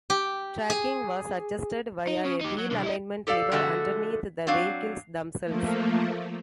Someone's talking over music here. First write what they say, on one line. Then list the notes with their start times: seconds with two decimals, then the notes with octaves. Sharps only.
Tracking was adjusted via a wheel alignment lever underneath the vehicles themselves.
0.10 G4
0.70 G#4
2.07 D#4
2.25 C#3
2.41 D#4 G4
2.58 F#3
2.71 B1 D3
2.83 E4 D#5
3.27 G4 A4 D5 F5
3.52 D3 F3 G#3 A3 F#4 A4
4.47 F#3 C4 D4 F5
5.44 F3 A3 A#3